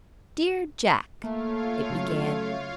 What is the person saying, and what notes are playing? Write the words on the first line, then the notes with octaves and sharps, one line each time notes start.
"Dear Jack," it began.
A3 A#3 F4 C#5 F5
C#3 F#3